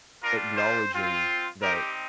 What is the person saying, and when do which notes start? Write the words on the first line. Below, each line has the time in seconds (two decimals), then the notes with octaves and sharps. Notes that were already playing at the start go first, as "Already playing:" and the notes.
acknowledging that
0.23 G3 D4 F4 A#4
0.57 C5
0.92 C4 F4
1.62 G3 C4 D#4 G4 A#4